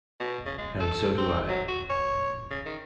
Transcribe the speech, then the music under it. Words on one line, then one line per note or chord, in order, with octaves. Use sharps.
And so do I.
B2
C#3
G#3
A4
C4
F#3
F#4
C#5
C#3
D#3